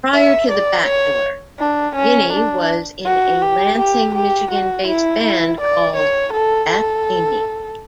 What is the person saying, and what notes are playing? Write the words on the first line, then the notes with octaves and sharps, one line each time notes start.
Prior to "The Bachelor", Guiney was in a Lansing, Michigan-based band called "Fat Amy".
E5
D5
C#5
D4
C#4
D4
F#4
G4
G4
G4
F#4
E4
E4
D5
C#5
A4
A4